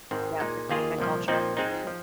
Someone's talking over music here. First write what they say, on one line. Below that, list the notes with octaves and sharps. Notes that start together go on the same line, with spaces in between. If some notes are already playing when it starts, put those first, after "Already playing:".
Yep. Achievement culture. Mhm.
G#1 G#2 D#3 C4
A#2 G#3 D#4
D#2 D#3 A#3 F4 G#4
C2 A#2 F3
A#2 F3 C4 D#4
G#2 G#3 C4 D#4
F3